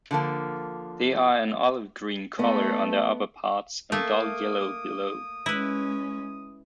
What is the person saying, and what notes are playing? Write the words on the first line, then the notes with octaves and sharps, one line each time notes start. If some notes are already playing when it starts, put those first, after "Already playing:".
They are an olive-green color on their upperparts and dull yellow below.
D3 F3 A#3
A3 B3 D#5
A3 A#3 D#6
G#3 C#4 E4 B4